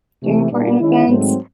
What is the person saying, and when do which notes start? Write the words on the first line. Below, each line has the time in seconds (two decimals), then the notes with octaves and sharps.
during important events?
0.23 C3 E3 A3
0.51 A#2 G3 A#3 D4
0.79 D#3 G#3 C#4 E4
1.07 G#2 D#3 F#3 A3 C4